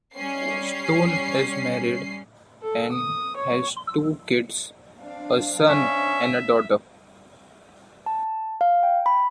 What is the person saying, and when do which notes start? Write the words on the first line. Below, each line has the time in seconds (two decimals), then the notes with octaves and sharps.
Stone is married and has two kids, a son and a daughter.
0.15 G3 C#4 C7
2.62 A4
2.92 D#6
3.36 C#5
5.01 C4 D4 F5
5.67 C#4 E5
8.06 A5
8.61 F5
8.83 G5
9.06 B5